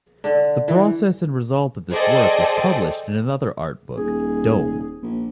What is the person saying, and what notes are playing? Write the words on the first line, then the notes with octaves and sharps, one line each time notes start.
The process and result of this work was published in another art book, "Dome".
D3
E3
G#4 A4 C5 D5 D#5 G5
D#1 G#4
A#1